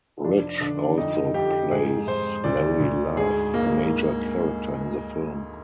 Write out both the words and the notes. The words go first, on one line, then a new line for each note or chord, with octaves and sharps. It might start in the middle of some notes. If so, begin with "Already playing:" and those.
Rich also plays Larry Love, a major character in the film.
F1 D4
D3 D4
F2 D#4
F2 G4
G#2 G#4
G#2 C5
D2 D5
D2
G#2 G#4
G#2 A#3